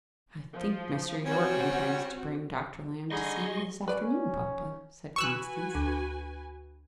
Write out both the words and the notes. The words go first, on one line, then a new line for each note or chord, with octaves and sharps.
"I think Mr. Yorke intends to bring Dr. Lamb to see you this afternoon, papa," said Constance.
F3
G3 C4 C#4 F#4 C#5
D3 G3 D#4 G#4 D#5 C6 C#6
C#4 B4 D5
F#4 B4 G#5 C#6 E6 F#6
D2